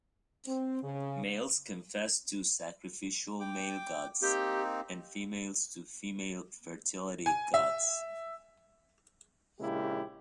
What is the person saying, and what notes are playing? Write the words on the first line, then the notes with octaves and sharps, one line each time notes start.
Males confessed to sacrificial male gods, and females to female fertility gods.
C4
C#3
G5 D6
A#3 C4 D#4 G4
G#5
E5
A#1 C#3 G#3 A#3 E4 G4